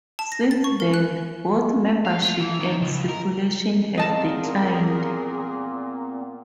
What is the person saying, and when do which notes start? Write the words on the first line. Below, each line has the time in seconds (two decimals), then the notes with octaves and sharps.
Since then, both membership and circulation have declined.
0.19 A5
0.32 A#6
0.51 A6
0.64 C#6
0.80 A#4
0.94 F#6
2.05 F5
2.23 F4
2.41 E3
2.60 D#3
2.82 C#2
3.09 A#4
3.98 A#2 B3 C4 G#4 A#4 D#5 A5